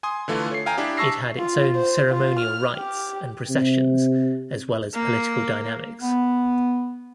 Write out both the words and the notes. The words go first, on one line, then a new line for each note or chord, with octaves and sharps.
It had its own ceremonial rites and processions as well as political dynamics.
G#5 C6 D#6
D3 E3 A3 F4
C#5 C7
F5 G5 G#5 A#5
D4 E4 G4
E5 A5 C#6 E6 A#6 C7
F4
C5
F4
F6
G4
C3
A#3
B3